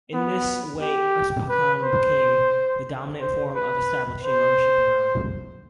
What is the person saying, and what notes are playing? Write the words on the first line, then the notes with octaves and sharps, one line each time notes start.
In this way usucapion became the dominant form of establishing ownership in Rome.
B3
G4
B4
C5
C5
B4
C5